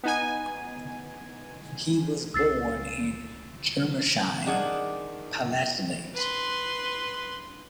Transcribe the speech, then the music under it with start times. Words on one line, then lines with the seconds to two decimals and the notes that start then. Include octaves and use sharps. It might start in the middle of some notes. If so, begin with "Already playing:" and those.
He was born in Germersheim, Palatinate.
0.03 B3 D#4 G#5
2.34 C#2 G3 C#4 E6 A6 C7
4.46 D#3 D4 G#4 F#5
6.15 B4 C6